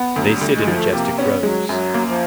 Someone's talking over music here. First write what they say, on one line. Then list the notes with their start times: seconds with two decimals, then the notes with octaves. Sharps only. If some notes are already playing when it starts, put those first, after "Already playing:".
They sit in majestic rows.
Already playing: B3
0.16 D2 F#3
0.35 G3
0.41 D2
0.54 G#3
0.67 F3
0.73 A3
0.93 C3 A#3
1.18 B3 C#4
1.43 F#3 G#3
1.69 F#2 F#3
1.94 A#3
2.08 F3